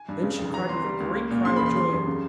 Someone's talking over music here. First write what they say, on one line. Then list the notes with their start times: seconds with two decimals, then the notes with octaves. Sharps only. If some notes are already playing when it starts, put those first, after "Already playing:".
Then she cried with a great cry of joy.
Already playing: G#5
0.09 G2
0.23 C#3
0.38 F1
0.54 E3 A#5
0.69 C2 C6
0.84 G3
1.00 C#2
1.15 A#3
1.30 A#2
1.45 C#3 C6
1.56 E1 B5
1.66 C6
1.76 G3 C6
1.92 F#2
2.07 C#3